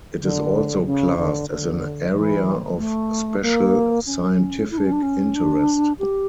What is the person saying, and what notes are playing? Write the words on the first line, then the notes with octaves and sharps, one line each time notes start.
It is also classed as an Area of Special Scientific Interest.
D3
C#3
D3
D3
E3
A3
A#3
C#4
E4
D4
C#4
D4
C#4
D4
G4